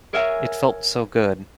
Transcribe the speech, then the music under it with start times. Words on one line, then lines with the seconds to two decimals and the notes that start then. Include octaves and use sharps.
It felt so good.
0.13 G#4 A#4 C#5 E5 F#5 G#5